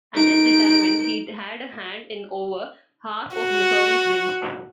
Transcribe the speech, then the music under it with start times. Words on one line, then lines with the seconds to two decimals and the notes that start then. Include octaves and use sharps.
At his retirement, he'd had a hand in over half of Missouri's wins.
0.15 D#4 D7
3.36 F#4